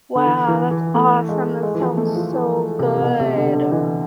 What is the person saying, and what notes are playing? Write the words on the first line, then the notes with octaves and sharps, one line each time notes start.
Wow, that's awesome, that sounds so good. Oh,
D3
E3
E3
E3
A3
G#3
G#3
E3
F3
A3
F3
E3
C3
C3
B2
C3
D3
D3
E3